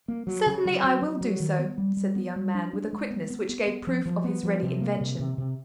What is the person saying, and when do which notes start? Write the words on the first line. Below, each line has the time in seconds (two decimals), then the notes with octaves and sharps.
"Certainly, I will do so," said the young man, with a quickness which gave proof of his ready invention.
0.08 A#3
0.27 F#3
0.46 C#3
0.65 F#3
0.84 F#3
1.02 F#3
1.21 F#3
1.40 D#3
1.59 B3
1.78 G3
1.97 G3
2.16 B3
2.36 G3
2.55 D4
2.73 D4
2.93 G#3
3.11 B3
3.30 B3
3.49 B3
3.67 B3
3.87 F3
4.06 F3
4.24 B3
4.43 F3
4.62 C3
4.81 A#3
5.01 C3
5.20 C3
5.38 C3